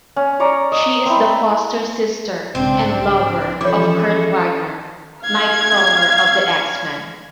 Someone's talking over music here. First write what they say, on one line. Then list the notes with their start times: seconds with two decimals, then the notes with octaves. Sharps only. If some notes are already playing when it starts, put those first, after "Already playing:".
She is the foster sister and lover of Kurt Wagner, Nightcrawler of the X-Men.
0.16 C#4
0.40 C#5 D5 A#5
0.72 D#5
1.06 C4 E4
2.55 B1 G#2 C#3 C4 D4 D5
3.61 E3 F3 C#4 E4 A4 C#5 E5 D6
5.22 F5 G#6